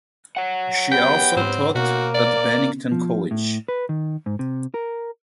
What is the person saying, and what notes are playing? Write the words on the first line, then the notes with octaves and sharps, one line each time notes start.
She also taught at Bennington College.
C#5 F#5
B3 G4 G5
G#2 C4
B2 A#3 F#4
D5
F3
A2
B4
D#3
G#2
C3
A#4